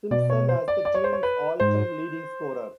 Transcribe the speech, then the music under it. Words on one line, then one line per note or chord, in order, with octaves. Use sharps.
Simpson as the team's all-time leading scorer.
B2 D5
C#5
C5
D5
D5
C#5
C5
C#5
B4
G#2 C5